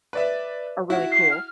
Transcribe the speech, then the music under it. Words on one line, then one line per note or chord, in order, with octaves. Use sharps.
are really cool.
B4 D5 E5
E4 F#4
C7
F6